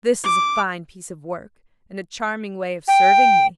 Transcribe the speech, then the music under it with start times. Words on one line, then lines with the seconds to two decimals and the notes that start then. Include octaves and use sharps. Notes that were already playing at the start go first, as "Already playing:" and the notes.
This is a fine piece of work, and a charming way of serving me!
0.24 D6
2.88 G5